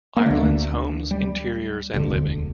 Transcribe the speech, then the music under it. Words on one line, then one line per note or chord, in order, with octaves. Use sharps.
Ireland's Homes Interiors and Living.
A#3
D2 D3 A3
G3
E1 D2 D3